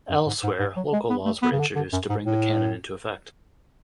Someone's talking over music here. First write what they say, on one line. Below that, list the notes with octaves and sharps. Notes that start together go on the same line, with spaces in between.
Elsewhere, local laws were introduced to bring the canon into effect.
F#2
G#2
G#2
G#2
F#3
G#3
B3
A3
B3
C#3
D3
D3
F#2
G#2
A2